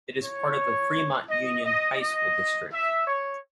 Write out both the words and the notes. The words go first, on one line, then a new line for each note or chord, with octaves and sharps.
It is part of the Fremont Union High School District.
C#5
D#5
D#5
D#5
E5
C#5